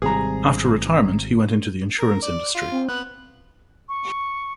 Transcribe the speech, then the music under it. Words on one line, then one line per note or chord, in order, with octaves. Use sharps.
After retirement, he went into the insurance industry.
G#1 C3 G3 G#4 A#5
A#4
D5
F4
C4
B3 F#6
C#6